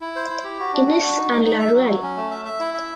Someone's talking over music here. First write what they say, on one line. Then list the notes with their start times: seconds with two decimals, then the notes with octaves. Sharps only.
Innis and Laruelle.
0.01 E4
0.16 C5
0.30 E4
0.44 G4
0.59 F#4
0.73 D4
0.87 D4
1.02 F#4
1.16 D#4
1.31 D#4
1.44 D#4
1.59 E5
1.74 F#3
1.89 F#3
2.03 C#4
2.17 A3
2.31 E5
2.45 E5
2.60 E4
2.74 E5